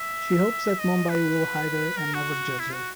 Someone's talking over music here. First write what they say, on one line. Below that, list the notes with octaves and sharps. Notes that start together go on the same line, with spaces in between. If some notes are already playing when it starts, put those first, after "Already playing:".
She hopes that Mumbai will hide her and never judge her.
Already playing: E5
D#5
B4
A#4
F#4
E4
F#4